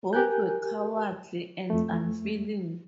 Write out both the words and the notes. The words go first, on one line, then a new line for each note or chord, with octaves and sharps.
Both were "cowardly and unfeeling".
G4 A#4 G#5 F#6 G6
F2 A3